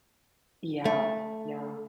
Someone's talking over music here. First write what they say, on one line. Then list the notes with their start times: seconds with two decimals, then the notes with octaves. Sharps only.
Yeah, yeah.
0.85 A3